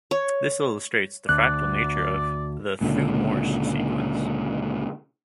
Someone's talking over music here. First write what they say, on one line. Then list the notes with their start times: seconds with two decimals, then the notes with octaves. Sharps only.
This illustrates the fractal nature of the Thue-Morse Sequence.
0.11 C#5
1.29 D2 D5 F#6
2.81 C#2 A#2 D3